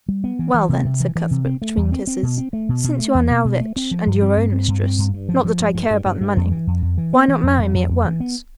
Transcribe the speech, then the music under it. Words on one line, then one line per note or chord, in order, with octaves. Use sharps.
"Well, then," said Cuthbert, between kisses, "since you are now rich and your own mistress--not that I care about the money--why not marry me at once?"
G3
B3
E3
E3
C3
C3
E3
E3
C3
C4
A3
E2
C4
C4
B2
C4
A3
B2
B2
A3
E2
B2
B2
A3
C4
F3
G2
C4
G2
C4
G2
C4
G2
G2
F3
F3
G2
G2
G2
G2
G2
F2
E3
F2
F2
E3
B3
E3
F2
F2
F2
F2
E3
B3